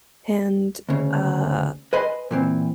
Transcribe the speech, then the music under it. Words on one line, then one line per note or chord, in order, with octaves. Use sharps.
and, uh
D2 C#3
B4 C5 D#5 G#5 B5 C6
A#2 E3 C4